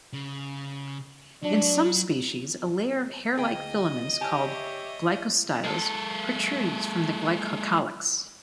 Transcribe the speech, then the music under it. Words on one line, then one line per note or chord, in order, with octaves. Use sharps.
In some species, a layer of hair-like filaments called glycostyles protrudes from the glycocalyx.
C#3
F#3 D4
D2 G#4 D#5 G5
G4 C#5 D5 E5 G#5 A5
G#3 A4